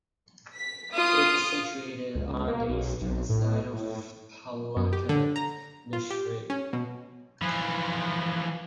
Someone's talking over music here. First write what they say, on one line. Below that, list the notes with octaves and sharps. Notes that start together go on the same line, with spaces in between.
It is situated on the eastern side of Palakkad district.
B6
F4 D#6
C#2
A#3
B1
B1
A2
A2
F#2
G4
D3
A#5
F4
G4
C#4
B2
E3 F3